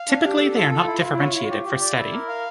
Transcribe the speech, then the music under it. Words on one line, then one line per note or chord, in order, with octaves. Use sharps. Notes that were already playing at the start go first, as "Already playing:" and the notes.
Typically they are not differentiated for study.
Already playing: F5
D4
D4 G4
A4
F4 A4
A4
E4
E4
C#5
C#5
G4
G4
D5
E4
A#4
F5